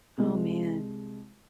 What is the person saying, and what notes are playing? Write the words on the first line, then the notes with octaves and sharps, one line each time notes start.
Oh, man.
C2 G#3